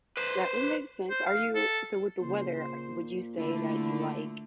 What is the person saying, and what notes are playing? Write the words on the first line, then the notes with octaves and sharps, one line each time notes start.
That would make sense. Are you so with the weather, are would you say that you like,
B4 C5
C5
F5
A4
A#2 C#3 C5
D3 A3 E4